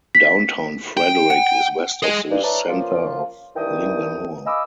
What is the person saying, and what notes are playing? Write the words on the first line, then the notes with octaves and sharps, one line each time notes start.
Downtown Frederick is west of the center of Linganore.
B6
G5
F#5
G#4 D#5
G2
E4 B4 C#5 D5 A5 A#5
F3 A#3 C#4 F4
C2 D#3 E3 D4 G5 D#6
D#5 F5 G#5 B5 D6 E6